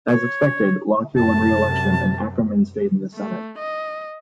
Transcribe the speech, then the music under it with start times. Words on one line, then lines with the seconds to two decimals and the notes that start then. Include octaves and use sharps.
As expected, Lockyer won re-election and Ackerman stayed in the Senate.
0.09 C#5
1.17 F#2 C3 A5
3.15 A3
3.59 D#5